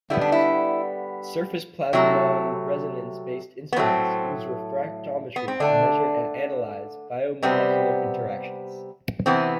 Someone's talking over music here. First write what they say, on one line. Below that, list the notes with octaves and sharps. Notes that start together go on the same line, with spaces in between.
Surface plasmon resonance-based instruments use refractometry to measure and analyze biomolecular interactions.
D3 G3 B3 E4
D4
E4
C3 F#3 A3 E4
B3
A2 F#3 A3 C4
B3
C4
D3 A3 D4
C3 G3 B3 C4
C3 E3 B3 C4